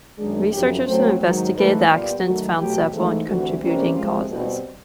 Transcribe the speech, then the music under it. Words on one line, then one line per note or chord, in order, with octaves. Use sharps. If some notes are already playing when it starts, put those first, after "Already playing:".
Researchers who investigated the accidents found several contributing causes.
F#2 D#3 G#3 B3 D4 G#4
F#2 C#3 F3 G4
A2 F#3 A3 C4 C5
G#2 D#3 F#3 C#5
G#2 E3 A3 B4
A#2 G3 B3 F4
D#2 D#3 F#3 A3 F#4
B2 F#3 A3 G4
G#2 E3 A3
D2 C3 E3 F#4
C3 E3 G3 A#3 C#4
C3 F3 G#3 F4
B2 G3 C4 E4